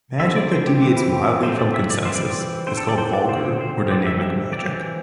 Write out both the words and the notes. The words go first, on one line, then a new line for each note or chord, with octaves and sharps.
Magic that deviates wildly from consensus is called vulgar or dynamic magic.
D3 G3 C4 E5
D5
C5
G4
E3 C4 G4
E4
G4
D3 A3 C4 C5
D5
E5
D5
E3 C4 C5
D5
D5
D3 C4 C5
A4
D5
C5
D5
D3 C4 C5
C5
D3 G3 C4 D5
E5
E5
E3 C4 D5